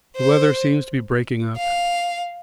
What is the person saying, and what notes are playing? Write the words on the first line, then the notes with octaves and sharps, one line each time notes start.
The weather seems to be breaking up.
C5
F5